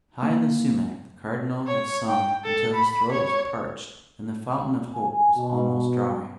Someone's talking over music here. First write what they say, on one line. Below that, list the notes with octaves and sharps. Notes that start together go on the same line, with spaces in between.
High in the sumac the Cardinal had sung until his throat was parched, and the fountain of hope was almost dry.
A#3
C#5
G5
A4
B5
C#5
G#5
B2